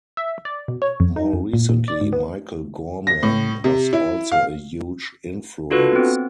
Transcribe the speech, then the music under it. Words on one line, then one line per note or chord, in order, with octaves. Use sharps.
More recently Michael Gorman was also a huge influence.
E5
D5
B2
C#5
F2
D#4
F2
A#2
A#2
D5
G#2
B3
A#6
A2
C3
E4
F5
D4 F4 F#4 A4 B4
B3 C4